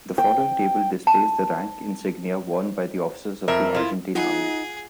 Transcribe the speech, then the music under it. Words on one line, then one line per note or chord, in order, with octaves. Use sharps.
The following table displays the rank insignia worn by officers of the Argentine Army.
G5
A5
F2 A#4 E5
E4 F4
D#4 F4 G#4 F#5